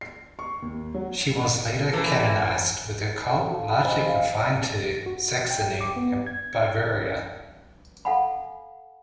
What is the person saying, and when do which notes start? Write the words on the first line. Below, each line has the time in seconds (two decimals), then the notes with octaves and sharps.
She was later canonized, with her cult largely confined to Saxony and Bavaria.
0.01 C7
0.39 C#6
0.62 D#2
0.94 F#3
1.93 E3 A#3 A4
3.30 A4
3.50 F#4 F5 A5
3.69 B5
3.84 C5 D#5 G#5
4.06 F5
5.06 F#4
5.51 G5
5.81 D6
5.96 B3
6.27 G#6
8.05 A4 F5 F#5 G#5 B5